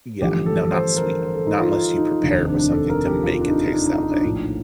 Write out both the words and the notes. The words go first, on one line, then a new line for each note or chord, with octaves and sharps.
Yeah, no, not sweet. Not unless you prepare it with something to make it taste that way.
A1 G2 D3 F3 G4
A4
C5
A#4
C5
A4
D#4
F4
D#4
D#4
F1 D#2 D#3 D4
C4
D4
D4
A4
A#4
G4
F4
D4
D#4
D4
D#4
D#4
D4
A#1 A2 F3 D4